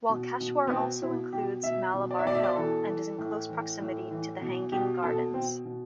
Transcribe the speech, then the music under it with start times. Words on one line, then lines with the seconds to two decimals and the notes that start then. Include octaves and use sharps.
Walkeshwar also includes Malabar Hill, and is in close proximity to the Hanging Gardens.
0.09 B2
0.40 B2
0.67 B3
0.71 B2 C4
1.02 B2 E4
1.32 B2 G4
1.63 B2 E5
1.94 B2
2.11 D5
2.19 E5
2.25 B2 D5
2.35 E5
2.43 D5
2.56 E3 A4
2.87 E3
3.18 A2
3.49 E3
3.80 A2
4.11 E3
4.41 B2
4.72 B2 G4
5.03 B2 A4
5.34 B2 C4
5.65 B2